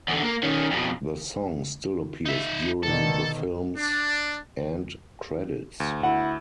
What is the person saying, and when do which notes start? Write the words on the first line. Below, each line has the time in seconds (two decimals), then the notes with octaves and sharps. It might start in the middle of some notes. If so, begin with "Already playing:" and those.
The song still appears during the films end credits.
0.08 E2 D3
0.23 A#3
0.43 D#3 C#4
0.71 F2 B2
2.26 D#4 E5
2.83 B2 D3 D#3 A4
3.77 D4
5.80 D2
6.03 E4 F#5